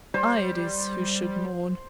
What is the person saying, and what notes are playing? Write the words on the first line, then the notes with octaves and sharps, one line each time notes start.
I it is who should mourn.
G3 C5